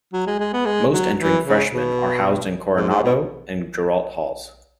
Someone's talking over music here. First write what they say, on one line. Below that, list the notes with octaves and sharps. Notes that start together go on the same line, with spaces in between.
Most entering freshmen are housed in Coronado and Girault Halls.
F#3
G#3
G#3
B3
G#3
F#3
E3
C#3
B2
G#2
G#2
B2